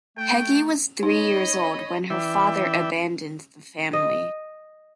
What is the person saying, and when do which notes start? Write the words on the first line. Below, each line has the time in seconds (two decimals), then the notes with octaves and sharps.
Peggy was three years old when her father abandoned the family.
0.17 A3 G5
1.03 D#4 C#5 D#5 B5
2.10 E3 D5 E5 G5
3.93 D#5